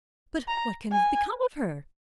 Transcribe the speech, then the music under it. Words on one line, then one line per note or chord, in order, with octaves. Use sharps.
"But what can have become of her?"
A#5
G#5